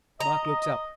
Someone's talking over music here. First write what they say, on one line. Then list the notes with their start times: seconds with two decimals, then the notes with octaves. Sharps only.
Mike looked up.
0.20 D#5 A#5